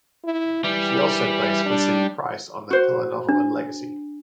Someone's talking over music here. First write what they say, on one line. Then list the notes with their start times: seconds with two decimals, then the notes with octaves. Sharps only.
She also plays Felicity Price on the telenovela Legacy.
0.24 E4
0.64 E3 G3
1.65 D4
2.71 F#4 C5
3.29 D4